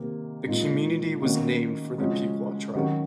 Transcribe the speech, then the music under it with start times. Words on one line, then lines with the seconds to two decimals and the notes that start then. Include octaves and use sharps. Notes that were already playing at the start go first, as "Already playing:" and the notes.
The community was named for the Piqua tribe.
Already playing: C3 D#3 A#3
0.46 A#2 G#3 D#4
1.22 D#3 A#3 C#4 F#4
1.98 C#3 F3 G#3 C#4 F#4
2.75 D#3 F#3 C#4 F#4